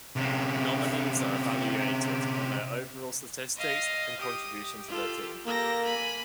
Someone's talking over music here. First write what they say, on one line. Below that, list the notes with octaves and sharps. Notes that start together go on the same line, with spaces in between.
Nominees are evaluated on their overall statistics and contribution to the team.
C3 C#4
D#5 F5
G4 D#6
F4 A4
A#3 G4 A4 A#5 A#6
G#5 B5